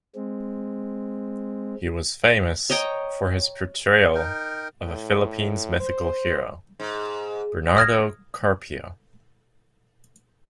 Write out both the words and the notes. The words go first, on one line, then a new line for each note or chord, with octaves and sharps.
He was famous for his portrayal of a Philippines' mythical hero, "Bernardo Carpio".
G#3 C4
C#5 D#5 G5 A#5
D#4 A#4 G5
A2
C5
G#2
D#6 F6 G#6 A#6